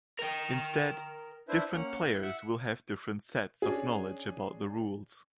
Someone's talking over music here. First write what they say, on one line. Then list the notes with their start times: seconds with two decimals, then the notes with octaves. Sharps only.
Instead, different players will have different sets of knowledge about the rules.
0.19 A#4 G5
1.48 D4 E4 B4 C5 E5
1.74 A#3 C#4 F#5 F6
2.08 E4
2.22 E5 F#5
3.62 C#4 D4 G#4